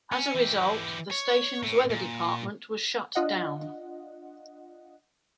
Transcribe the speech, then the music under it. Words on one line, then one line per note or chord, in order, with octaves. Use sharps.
As a result, the station's weather department was shut down.
C#4
E3 G4
C#5
A2
A#2
D4 F4 D#5 F#5